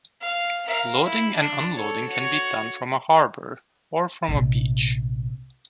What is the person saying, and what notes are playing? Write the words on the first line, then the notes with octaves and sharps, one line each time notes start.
Loading and unloading can be done from a harbour or from a beach.
F5
A#4 F5
E4
D4
A4 C#5
F#4 C#5
A#1 C3